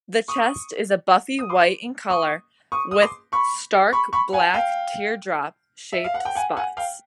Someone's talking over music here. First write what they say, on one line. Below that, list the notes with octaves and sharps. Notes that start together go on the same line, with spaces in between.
The chest is a buffy-white in color with stark black teardrop shaped spots.
C#6 D#6
D#6
C6 D6
C#6 D#6
C#6 D#6
D#6
C6 D6
B5 C#6
B5 C#6
B5 C#6
F#5 G#5
F5 G5
E5
F5
F#5
G5
F#5 G#5
F#5 G#5
F5 G5